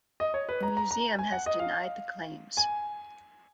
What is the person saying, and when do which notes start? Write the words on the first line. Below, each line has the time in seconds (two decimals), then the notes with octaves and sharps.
The museum has denied the claims.
0.20 D#5
0.34 C#5
0.49 B4
0.63 A#5
0.77 A#5
0.91 A#5
1.19 G#5
1.32 F#5
1.46 D#5
1.60 F5
2.57 G#5